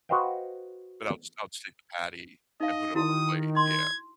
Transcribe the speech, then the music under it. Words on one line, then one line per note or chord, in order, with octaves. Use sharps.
but I'll just I'll just take the patty and put it on a plate, yeah.
F#4 B4 C5 D#5 F5 G5
D#4 D#5 F5
D#3 E4 F#4 D#6
C6 G#6